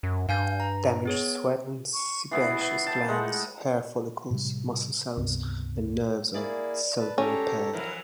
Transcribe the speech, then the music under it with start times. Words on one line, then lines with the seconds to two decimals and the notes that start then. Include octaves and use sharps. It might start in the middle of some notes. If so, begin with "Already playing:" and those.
Damaged sweat and sebaceous glands, hair follicles, muscle cells, and nerves are seldom repaired.
0.03 F#2
0.29 G2 F5 G#5 G6
0.60 A#5
1.05 B3 G#4 C#5
1.93 C#6
2.31 E3 B3 E4 C7
2.61 B3
2.86 G5 A5
3.08 G#3 A3 F#5
4.30 A2 C3 G3
5.17 C#2 G2 C3 B3
6.34 A#3 E4 G#4 D5
6.99 B4 A5
7.18 A#3 C#4 G4 A4 C#5 A#5
7.73 F2 E3 F#3 E4 A#4